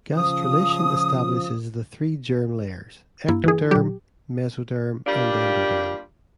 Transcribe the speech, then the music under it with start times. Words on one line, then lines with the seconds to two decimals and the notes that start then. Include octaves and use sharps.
Gastrulation establishes the three germ layers: ectoderm, mesoderm and endoderm.
0.14 C#3 F3 D#6
3.28 G2 A#3 E4
3.44 E3 G#4
3.71 A#2 F#3 G4
5.06 G3 A#3 D4 F4 G4